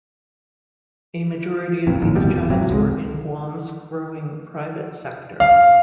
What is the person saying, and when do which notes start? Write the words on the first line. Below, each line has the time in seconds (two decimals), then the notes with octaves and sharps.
A majority of these jobs were in Guam's growing private sector.
1.87 A#1 F2
2.01 D1 G#1 D#2
2.15 G1 B2 G3
2.36 F1
2.50 G#1 C3 F#3
2.70 C#2 G3 G#3
5.40 F5